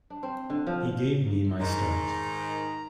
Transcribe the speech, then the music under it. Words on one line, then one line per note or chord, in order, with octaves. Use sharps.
He gave me my start.
D4
C4
D3
F3
G#2 D#3 A#5